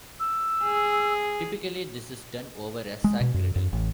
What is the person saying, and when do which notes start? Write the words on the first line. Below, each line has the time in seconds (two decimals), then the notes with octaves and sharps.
Typically, this is done over a "sac" griddle.
0.20 E6
0.63 G#4
3.04 G#3
3.21 B2
3.34 F#2
3.56 F#2
3.73 A1